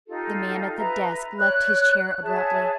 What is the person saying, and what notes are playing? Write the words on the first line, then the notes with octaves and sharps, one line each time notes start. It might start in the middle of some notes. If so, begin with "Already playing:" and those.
The man at the desk left his chair abruptly.
D#4 F4 G4 A4
B4 E5 A#5
C#5 D5 F#6
G#4 C#5 E5 A5